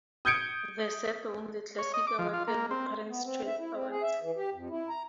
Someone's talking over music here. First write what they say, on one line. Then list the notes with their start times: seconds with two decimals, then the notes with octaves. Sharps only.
The set won the Classic Award at the Parents' Choice Awards.
0.25 D#6 G6 G#6 C#7 D7
1.79 C#5
1.94 D#5
2.07 D6
2.19 F3
2.33 F4
2.48 A#3
2.71 C4
3.07 B3
3.24 C4
3.47 E5
3.59 E4
3.74 C4
3.90 G#4
4.03 E5
4.21 E3
4.36 G4
4.54 F2
4.70 E4
4.89 A#5